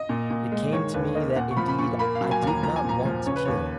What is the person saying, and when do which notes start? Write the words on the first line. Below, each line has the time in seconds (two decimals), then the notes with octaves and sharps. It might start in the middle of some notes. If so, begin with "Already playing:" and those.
It came to me that indeed I did not want to kill.
Already playing: D#5
0.09 A#2
0.30 A#2
0.52 G#3
0.73 D#3 C#5
0.94 D#2 B4
1.15 A#3 D#5
1.36 A#2 F#5
1.51 C#6
1.57 F3 B5
1.68 B5
1.79 A#2 C#6
1.99 A#3 B5
2.15 F5
2.21 F#3
2.31 G#5
2.42 D#2 A#5
2.63 F3 A#5
2.76 G#5
2.84 A#2 A#5
3.05 F3
3.26 C#3 C#5
3.36 B4
3.45 D#2 C#5